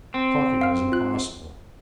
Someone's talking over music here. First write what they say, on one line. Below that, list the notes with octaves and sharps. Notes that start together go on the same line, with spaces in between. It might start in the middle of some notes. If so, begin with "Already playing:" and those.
Talking was impossible.
C4
F5 F6
F4 F#6